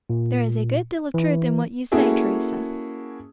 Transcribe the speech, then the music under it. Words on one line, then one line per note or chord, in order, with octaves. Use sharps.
"There is a good deal of truth in what you say, Teresa."
A#2
E3
A#3 C#4 E4 F#4 G#4 A4